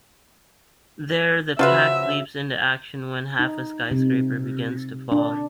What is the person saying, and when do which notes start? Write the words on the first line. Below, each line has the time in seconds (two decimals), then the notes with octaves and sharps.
There, the Pact leaps into action when half a skyscraper begins to fall.
1.59 C#3 F3 F4 F#4 B4 E5
3.39 D#4
3.91 C3
5.12 D4